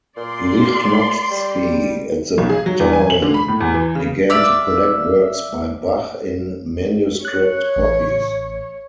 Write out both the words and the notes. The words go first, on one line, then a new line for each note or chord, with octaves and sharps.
Lichnowsky at the time began to collect works by Bach in manuscript copies.
A#2 D5 C6
G3
B1
G#4
F#3
E2
G#5
F#7
D3
B5
A2
E2
E3
C#3
D5 E5 F5
C#5 F#6
A1